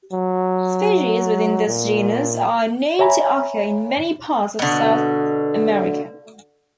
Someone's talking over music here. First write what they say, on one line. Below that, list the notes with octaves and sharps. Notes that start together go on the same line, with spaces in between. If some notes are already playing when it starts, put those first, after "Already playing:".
Species within this genus are known to occur in many parts of South America.
F#3
A#2
C#5 E5 G#5 A#5 B5
B2 D3